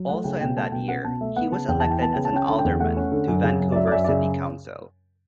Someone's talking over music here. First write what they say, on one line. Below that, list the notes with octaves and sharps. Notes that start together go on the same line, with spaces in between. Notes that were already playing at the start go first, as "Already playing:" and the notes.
Also in that year, he was elected as an alderman to Vancouver City Council.
Already playing: F#3
A3 F#5
C#3 G5
B2 G5
A3 A5
B2 G5
C#4 F#5
B2 A5
A3 E5
B3 F#5
C#3 A5
E2 G5
E3 A5
G5
B3 A5
C#3 G5
A5
C#4 G5
D3 A5
G5
E2
A3 F#5
C#4
D3
F#2
C#3
F#2
D5
F#3 E5
D5
F#2 E5
D5
C#3 E5